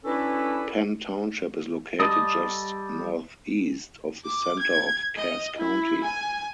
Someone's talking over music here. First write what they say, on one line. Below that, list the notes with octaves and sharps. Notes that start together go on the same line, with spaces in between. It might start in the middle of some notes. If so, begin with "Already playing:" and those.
Penn Township is located just northeast of the center of Cass County.
C#4 D4 E4 F#4 A4 B4
G3 A4 D#5 D#6
D6
G#6
D#5
E4
G#5